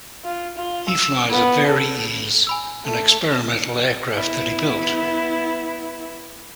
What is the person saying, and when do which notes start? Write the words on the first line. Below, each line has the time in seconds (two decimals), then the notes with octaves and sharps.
He flies a Varieze, an experimental aircraft that he built.
0.25 F4
0.57 F4
0.89 E6
1.29 B3
1.67 A4
2.47 G#5 B5 E6
2.85 A3
4.15 B3 E4